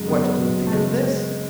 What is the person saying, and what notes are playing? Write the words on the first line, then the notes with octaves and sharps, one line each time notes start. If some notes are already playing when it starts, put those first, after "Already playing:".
"What do you think of this?"
Already playing: F#2 C#3 G#3
B3
F#3
A3
C#3 G#3